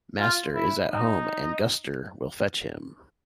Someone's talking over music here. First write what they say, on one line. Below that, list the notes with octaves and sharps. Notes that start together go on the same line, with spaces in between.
Master is at home, and Guster will fetch him.
F4
E4
D#4